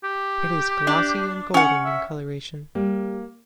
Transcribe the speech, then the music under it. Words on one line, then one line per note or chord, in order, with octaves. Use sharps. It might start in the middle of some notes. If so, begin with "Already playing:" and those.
It is glossy and golden in colouration.
G4
D4
C#4 F#5
E5
G3 A#3